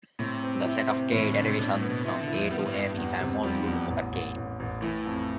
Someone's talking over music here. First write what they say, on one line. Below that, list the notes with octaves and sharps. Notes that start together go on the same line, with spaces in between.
The set of "k"-derivations from "A" to "M", is a module over "k".
A2 C3
C4
E4
C4
A2
E3
D3 D4
C3
B2 D4
A2
B3
B2
C3 E4
D3
E4
F2 F3
G3 B3
F3
G2 G3
B3
E2
C3
F2 F3 G3
E2
A1
A1
A1
A1
A2 E3
F2